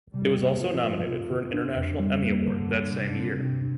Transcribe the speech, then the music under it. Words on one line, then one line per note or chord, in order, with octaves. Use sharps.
It was also nominated for an International Emmy Award that same year.
C3 G3
A#3
F3 F4
F4
C3 F4
D3
D4
F2
G3
A#3
G2 D3
G3
C3
C4
C3 D4
D4